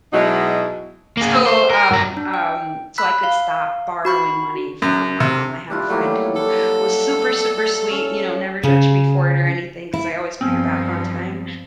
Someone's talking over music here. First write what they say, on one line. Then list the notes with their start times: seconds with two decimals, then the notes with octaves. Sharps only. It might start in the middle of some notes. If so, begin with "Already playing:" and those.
So, um um, so I could stop borrowing money from, um, I had a friend who was super, super sweet, you know, never judged me for it or anything 'cause I always paid her back on time.
0.13 B2 F#3 G#3 D#4 E4
1.17 A#3 G#4
1.46 C5
1.70 A#4
1.91 G2 A#5
2.17 D4
2.34 G5
2.98 B5 E6 F#6 B6
3.23 F5
4.05 F#4 B5 C#6
4.82 F#2
5.20 C3
5.70 G3 D4 E4 F4
5.89 F#3 G3 A3 A#3
6.36 A4
7.90 C#4
8.63 C#3
9.93 E4
10.41 G2 F3 B3 C4